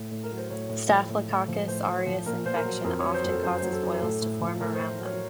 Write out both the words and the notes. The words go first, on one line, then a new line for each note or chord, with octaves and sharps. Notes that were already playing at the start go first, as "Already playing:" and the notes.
Staphylococcus aureus infection often causes boils to form around them.
Already playing: A2
A2
A#4
F#3
C5
A2 C#5
A2
F3
A2
A2
F3
A2 C5
A2
F3
A#2 A#4
A#2 C5
A#4
F#3
F2 A#4
F#3 C#5
C5
F2 A4
F#2 C5
F#3 C5
A4
F#2
A2 A4
A2
F3
A2 A#4
C5
A2
F#3
C#5